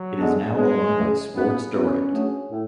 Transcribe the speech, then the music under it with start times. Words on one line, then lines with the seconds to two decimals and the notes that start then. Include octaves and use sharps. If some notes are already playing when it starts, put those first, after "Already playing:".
It is now owned by Sports Direct.
Already playing: F#3
0.16 D3 G#3 B3 D4
0.55 F#3 G#3 B3 D4 G#4 B4
0.94 E2 C#3 F#3 A3
1.33 G#2 F#3 B3 C#4 F#4 B4
1.73 E3 B3 C#4 F#4 B4
2.12 F#3 A3 D4 G#4
2.51 A2